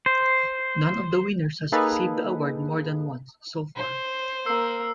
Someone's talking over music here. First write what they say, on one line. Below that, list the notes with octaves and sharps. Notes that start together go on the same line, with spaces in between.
None of the winners has received the award more than once, so far.
C5
A#3 D#4 G#4 A4 B4
C5
A#3 E6 C7